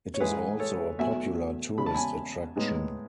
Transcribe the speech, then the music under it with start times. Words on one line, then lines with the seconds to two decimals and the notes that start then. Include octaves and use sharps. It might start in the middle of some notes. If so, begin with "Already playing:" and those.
It is also a popular tourist attraction.
0.14 C#5
0.20 G#2 E3 G#3 B3 G#4 B4
0.59 A4 C#5
0.98 E2 B2 F#3 A3 E5 G#5
1.78 E2 C#3 G#3 B5
1.86 A5
1.95 G#5 B5
2.56 A2 G#3 B3 D#4